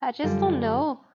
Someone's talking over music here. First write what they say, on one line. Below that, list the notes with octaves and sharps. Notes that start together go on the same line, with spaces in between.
I just don't know.
F#2 D3 G3 F4